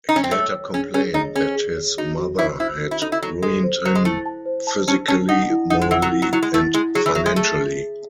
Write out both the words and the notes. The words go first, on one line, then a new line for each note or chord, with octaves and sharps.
He later complained that his mother had "ruined him physically, morally and financially".
D#4
C#4
C4
A3 C#5
C#5
C#4 G#4
C#4 G#4
D#4 C#5
C#4 G#4
G#4
C#5
D#4 F#4
F#4
E4 F#4
E4 C5
F#4
E4
D#4 A4
E4
F#3 A4
G#3 A4
C5
F#3 C5
G#3
A3 E4
A5
C5
A5
C#4 A5
C#4 A5
D#4 F#5
E4
D#4 F#5
G#3
E3 F#5
F#3
E4
F#3
F#3 E4
G#3
A3 E4
G#3 E4
F#3 G#4
E3
F#3 E5
G#3
A3 G#4
G#4
G#4